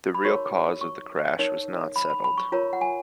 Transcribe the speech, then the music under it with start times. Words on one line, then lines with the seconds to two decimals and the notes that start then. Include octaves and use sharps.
The real cause of the crash was not settled.
0.14 B5
0.25 D#4 F#4 A#4 C#5 C#6
0.81 C#6
1.39 D#4 A#4 C#5
1.96 B5
2.10 B5
2.24 B5
2.38 C#6
2.52 F4 A#4 C#5 A#5
2.73 F#5
2.81 G#5